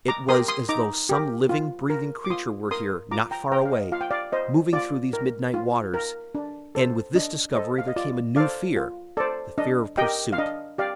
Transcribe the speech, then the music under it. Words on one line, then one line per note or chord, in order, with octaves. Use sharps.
It was as though some living, breathing creature were here, not far away, moving through these midnight waters; and with this discovery there came a new fear--the fear of pursuit.
A#5 D6
G4 A#4 C6 D#6
C6 D#6
D#4 A#5 D6
G4 A#4
F4
A#4
D6
F4 C6 D#6
A#4 C6 D#6
F4 A#5 D6
G5 A#5
C5 G5 A#5
F5
D#5
F4 F5
G5
D5 F5
C5 D#5
F4 D5
A#4
F4
A#4
D4
A4 C5
D4 D#5
A4 C5 D#5
F5
D#5
F4 D5
A4 C5 D5 F5
F4
A4 C5 D5
D4 D#5
G4 A#4 D#5 G5
F5
D4 D#5
G4 D5 F5